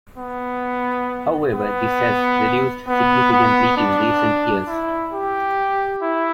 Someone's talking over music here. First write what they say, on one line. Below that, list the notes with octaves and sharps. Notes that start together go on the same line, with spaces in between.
However this has reduced significantly in recent years.
B3
B3
B3
B3
D4
E4
G4
E4